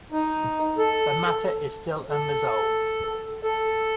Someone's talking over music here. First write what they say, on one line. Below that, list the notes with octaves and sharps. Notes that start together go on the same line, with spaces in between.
The matter is still unresolved.
D#4
A4
A4
A4